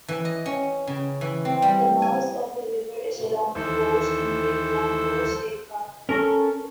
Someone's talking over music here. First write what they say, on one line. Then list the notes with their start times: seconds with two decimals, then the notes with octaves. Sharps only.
The mouth of the river is along the coast in Cape Blanco State Park.
0.08 E3
0.25 D#5
0.46 C#4
0.87 C#3
1.21 E3
1.45 C4
1.62 G3
2.02 G#5
3.55 D#2 E3 A4 C5
6.09 C#4 A4 A#4 C#6